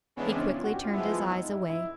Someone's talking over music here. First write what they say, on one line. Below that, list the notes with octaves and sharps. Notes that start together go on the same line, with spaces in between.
He quickly turned his eyes away.
C#3 E3 G#3 B3 C#4 D4
C4
C#4
F4
F#4
G4
F4
F3 G#3 B3 E4
D#4
E4
E4